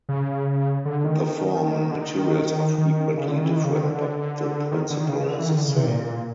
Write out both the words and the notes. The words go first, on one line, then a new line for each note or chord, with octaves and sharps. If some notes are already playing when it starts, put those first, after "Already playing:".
The form and materials are frequently different, but the principle is the same.
C#3
D3
D#3
D3
D#3
D#3
C#3
D3
D#3
E3
D#3
C#3
D#3
D3
D3
D#3
D3
D#3
C#3
C#3
D3
E3
D#3
D3
C#3
C3
A#2